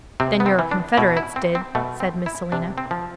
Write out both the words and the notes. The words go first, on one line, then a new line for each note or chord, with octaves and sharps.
'Then your confederates did,' said Miss Selina.
C3 C4
B3
C4
E3
D4
B2 E4
E4
C4
C4
B2 A3
C4
E4
C3 D4
C4
F3